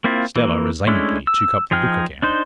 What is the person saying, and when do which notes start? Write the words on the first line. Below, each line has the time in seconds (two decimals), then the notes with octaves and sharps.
Stella resignedly took up the book again.
0.04 A#3 C4 E4 F4
0.36 E3 A#3
0.87 G#3 A3 C#4 D4 E4
1.27 E6
1.71 F3 D#4 G#4 G5 F6
2.22 D4 D#4 C5